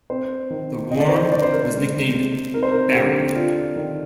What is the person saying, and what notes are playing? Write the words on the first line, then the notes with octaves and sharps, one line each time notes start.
The worm was nicknamed "Barry".
C4 C5
D#3
C4 D#5
D5
C5
D5
D3 D5
C5
A#4
C5
G#3
C3
D#4 A#4
C5
A#4
D3 G4
D4 F4
D#3